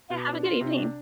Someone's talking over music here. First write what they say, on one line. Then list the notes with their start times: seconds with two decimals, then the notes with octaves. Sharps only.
Yeah, have a good evening.
0.10 B2
0.28 D4
0.44 F4
0.61 C3
0.77 D4